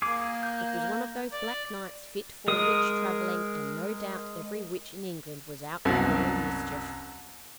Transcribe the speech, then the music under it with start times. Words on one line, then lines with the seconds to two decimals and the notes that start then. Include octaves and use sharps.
It was one of those black nights fit for witch traveling; and, no doubt, every witch in England was out brewing mischief.
0.02 A#3 G#4 D6
0.43 G6
1.32 D5
2.48 G#3 A#4 D#6
5.85 C2 F#2 B2